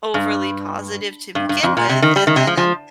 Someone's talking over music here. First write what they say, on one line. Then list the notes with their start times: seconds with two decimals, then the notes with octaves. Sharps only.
overly positive to begin with, and then I'm
0.14 G2
1.35 G2
1.49 G2
1.63 F2
1.77 A#2
1.89 C3
2.02 D#3
2.16 G3
2.27 D#3
2.36 C3
2.47 F3
2.57 F3